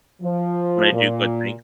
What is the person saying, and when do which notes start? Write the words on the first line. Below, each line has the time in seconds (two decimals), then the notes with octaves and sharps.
when I do good things
0.21 F3
0.92 A#2